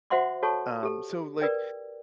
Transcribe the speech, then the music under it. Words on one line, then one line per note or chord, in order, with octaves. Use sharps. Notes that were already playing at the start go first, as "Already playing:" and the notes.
um, so, like,
F#4 C5 E5 F#5 C6 D6
F#4 A4 C#5 A5 C#6
G4 A4
A#4 B4 D5 G5